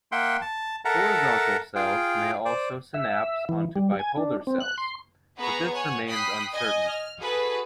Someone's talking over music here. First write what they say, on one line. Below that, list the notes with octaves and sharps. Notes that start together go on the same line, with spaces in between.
Horizontal cells may also synapse onto bipolar cells, but this remains uncertain.
A#3 E5 F#5 G5 C6
A5
A4 A#4 E5 F#5 A5 A#5
F4 G#4 F5 G5
C5 D5
E5
E3
G3
G#5
D4
C4
F#6
C6
B3 G#4 B4 F#5 A#5 C#6
C#5 F#5 G#5
G5 B5 D#6 F#6 B6 C7
D#5 G#5
F6
F#4 G#4 A4 B4